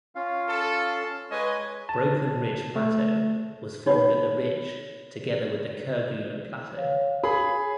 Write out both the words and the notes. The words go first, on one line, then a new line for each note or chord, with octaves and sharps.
Broken Ridge Plateau was formed at the ridge together with the Kerguelen Plateau.
C#4 F4 F5
A4
G#3 B4 C#5 D#5 G#5
A5
A3
D#4 C#5 B5
C#5 F5
G#4 B5